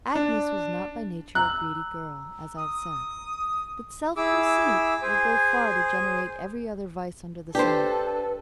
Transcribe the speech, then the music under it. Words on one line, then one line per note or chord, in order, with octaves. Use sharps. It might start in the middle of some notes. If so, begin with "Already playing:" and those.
Agnes was not by nature a greedy girl, as I have said; but self-conceit will go far to generate every other vice under the sun.
D4
A#5 E6 F#6
D#6
E4 G#4 D6 E6
G#4 C5 G#5
D4 G4 A4 B4 C5